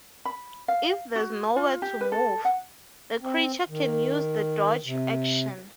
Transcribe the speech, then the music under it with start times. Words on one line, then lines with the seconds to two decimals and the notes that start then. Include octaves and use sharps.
If there’s nowhere to move, the creature can use the Dodge action.
0.25 B5
0.68 F5
1.16 F#4
1.56 F4
1.82 G4
2.01 B4
2.12 A4
2.45 F#5
3.21 C4
3.69 D#3
4.85 C3